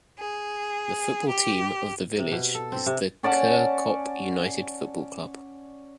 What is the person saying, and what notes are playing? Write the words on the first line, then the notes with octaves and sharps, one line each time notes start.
The football team of the village is the Kirkop United Football Club.
G#4
G4
C3
B2
A4
C4
C3
C#4 D5 F#5 A5